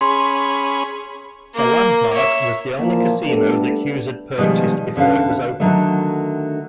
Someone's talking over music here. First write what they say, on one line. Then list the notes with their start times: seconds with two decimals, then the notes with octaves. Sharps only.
The Landmark was the only casino that Hughes had purchased before it was opened.
0.01 C#4 G#4 B5 C6
1.55 A#3
2.13 C#5 E5
2.80 A#2 E3 F3 A#3
3.27 G3 A3 B3 D4 A4 B4
4.38 B2 D#3 F3 G3 G#3
4.96 E2 D3 C#4 B4 F5
5.60 D3 D#3 F#3 A3